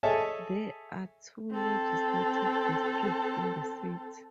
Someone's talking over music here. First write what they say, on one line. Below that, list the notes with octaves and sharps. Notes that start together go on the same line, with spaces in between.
There are two legislative districts in the city.
G#4 A4 C#5 D#5 E5 A5
C4 A4